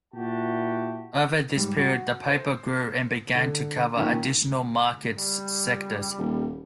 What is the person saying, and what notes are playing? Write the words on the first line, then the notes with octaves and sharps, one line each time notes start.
Over this period the paper grew and began to cover additional market sectors.
A#2 E4 F#4 G4 A5
G#2 G3
F#4
C5
D3
A#2 D#3 C#4
G3
D#1